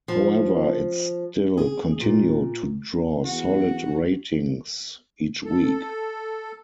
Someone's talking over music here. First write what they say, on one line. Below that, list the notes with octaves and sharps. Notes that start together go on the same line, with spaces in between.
However, it still continued to draw solid ratings each week.
F3
G#4
A#2
E2 F#4
A4